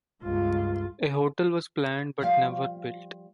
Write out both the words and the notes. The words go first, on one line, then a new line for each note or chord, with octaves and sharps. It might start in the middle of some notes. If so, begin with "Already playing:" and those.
A hotel was planned but never built.
C#2 G2 F4
F3 G3 F5